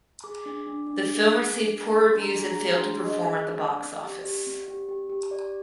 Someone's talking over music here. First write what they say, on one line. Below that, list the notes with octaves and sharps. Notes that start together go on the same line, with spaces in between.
The film received poor reviews and failed to perform at the box office.
G#4 D6
D4
D4
D4
G#4
G#4
D4
G#4
G#4 C6
D4
A#5
G#4
A#5
G#4
D4 C6
G#4
D#5
G#4
D4
C4 D5
C4
G4
G4
C4
G4
G4
G4
G4 D5